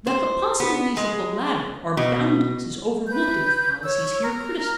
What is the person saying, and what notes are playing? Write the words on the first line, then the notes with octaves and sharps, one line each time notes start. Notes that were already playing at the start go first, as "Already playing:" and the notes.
That the possibilities of the latter are boundless is overlooked in the fallacies here criticized.
C5
B3
G#3
B2
B4 G6
C#5 E6
A#4